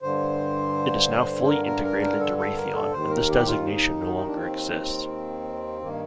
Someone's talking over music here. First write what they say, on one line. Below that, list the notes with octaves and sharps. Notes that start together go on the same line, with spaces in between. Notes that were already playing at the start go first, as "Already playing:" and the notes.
It is now fully integrated into Raytheon and this designation no longer exists.
G2 D3 C5
C5
A#4
A#4
A#4
A#4
A4
A4
A#4
A4
D#2 D#3 C5
A#4
G4
F4
D#4
D#4
D4
C4
G2 D#3 A#3